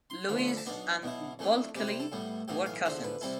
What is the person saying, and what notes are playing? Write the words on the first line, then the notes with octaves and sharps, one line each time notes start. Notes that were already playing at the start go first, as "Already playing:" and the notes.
Lewis and Bulkeley were cousins.
C6
D2 D3 F3 B5
C6
B5
A5
B1 B2 B3 D4 D5
B1 B2 B3 E4
F2 E3 A3 D4
C3 G3 C4 E4 D5
C5
A4
A2 G3 B3
B1 A2 E3 B3 G4
F5
E2 D3 F3 C5
B4
C3 G3 C4 E4 A4